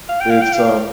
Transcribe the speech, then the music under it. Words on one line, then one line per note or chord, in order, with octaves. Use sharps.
it's, um,
F5
G5
F5
G5
F5